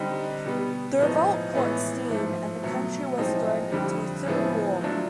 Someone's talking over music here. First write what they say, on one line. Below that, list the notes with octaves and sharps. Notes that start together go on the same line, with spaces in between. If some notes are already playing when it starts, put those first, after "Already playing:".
The revolt caught steam and the country was thrown into a civil war.
Already playing: D3 G3 C4 D#4
B2 G3 B3
A2 F3 G#3 B3 D#4
A2 E3 G#3 B3 E4
G#2 F3 A3
B2 F#3 A3
A2 F3 G#3 C4 D#4
F2 D3 G3 C4
A2 F3 G#3 B3 E4
F#3 A3 D4 F4